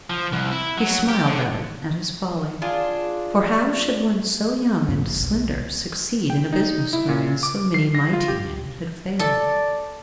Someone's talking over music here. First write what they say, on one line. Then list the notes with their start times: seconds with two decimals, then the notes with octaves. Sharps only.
He smiled rather at his folly, for how should one so young and slender succeed in a business wherein so many mighty men had failed.
0.10 F3
0.33 C2
0.51 E4
0.78 F#3
1.09 G4
1.27 D3
2.62 D4 F4 G#4
4.88 F2 G#2 F3 A#3
5.07 F#1
5.20 B1
6.30 G5
6.52 D#4
6.93 E4
7.09 A#2
7.43 D6
7.74 C7
7.95 A#6
8.13 F4
8.28 G4
9.19 A4 D5